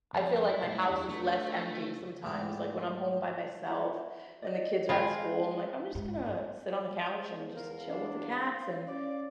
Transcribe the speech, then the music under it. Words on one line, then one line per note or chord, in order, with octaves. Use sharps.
I feel like my house is less empty sometimes, like when I'm home by myself, when the kids are at school, I'm like, "I'm just gonna sit on the couch and just chill with the cats and
F2
E4
B2 G3 A3
E2 D4
A3 D4 B4
D2 G#2 C4 G4 B5
E4 F#4 A#5
D5 D#5
G#3 F4 C5 G5 B5
G#2
G#3 C5
E2 A#4 F5
D4
C#4 D5